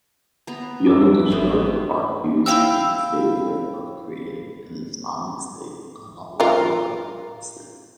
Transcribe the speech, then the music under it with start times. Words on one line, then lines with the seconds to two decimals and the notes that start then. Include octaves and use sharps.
Yo'ldoshev argues in favor of creating an Islamic state on a local level instead.
0.47 B3 A#5
0.86 F2 E3 F#3 D6 E6
1.31 G#1 B2 A3 C4 D#6
2.46 E4 F5 G5 E6
6.40 F4 A#4